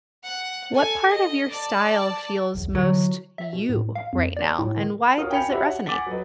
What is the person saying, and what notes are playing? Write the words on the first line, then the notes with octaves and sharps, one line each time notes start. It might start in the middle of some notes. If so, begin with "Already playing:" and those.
What part of your style feels most you right now, and why does it resonate?
F#5
A4 G#5
D#5
D5 A5
B1 E2
D3 E3 F#3
E5
B2
A2
F5
F2
D5
A2
D#3
F#4 A#4 C#5 F5 D#6
G5 G#5 B5 C#7 F7
F#4 G4 C#5 E5 B5
F#5
F#5 G#5 D6 A6 B6
F#3 B4 D#5